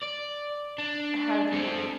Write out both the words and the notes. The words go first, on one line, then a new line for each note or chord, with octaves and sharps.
have you
D5
D4
C4 A4